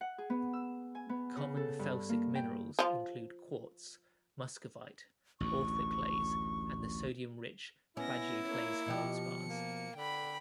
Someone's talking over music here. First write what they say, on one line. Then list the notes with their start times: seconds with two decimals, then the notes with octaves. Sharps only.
Common felsic minerals include quartz, muscovite, orthoclase, and the sodium-rich plagioclase feldspars.
0.01 F#5
0.18 G#4
0.30 B3
0.53 E6
0.95 G#5
1.09 B3
1.37 C#3
1.57 A4
1.79 G2
2.09 A#3
2.35 G5
2.79 F3 F4
5.40 A1 D2 C#6
7.97 B3 C#4 E4 A#6
8.45 A#3 C#5
8.86 B2 F3 G4 C#7
9.47 A#3
9.96 D3 G5 B5